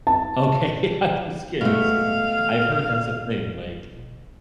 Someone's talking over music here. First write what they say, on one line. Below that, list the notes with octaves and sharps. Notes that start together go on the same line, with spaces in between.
Okay, I'm just curious ‘cause I've heard that's a thing like
A5
B2 A3 F5